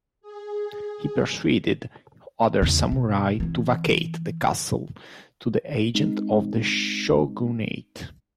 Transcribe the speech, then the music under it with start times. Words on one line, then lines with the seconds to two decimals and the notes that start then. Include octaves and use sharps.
He persuaded other samurai to vacate the castle to the agents of the Shogunate.
0.21 G#4
2.62 E2 C#3
2.92 B2
3.40 E3 C4
5.95 G#3 C4 D#4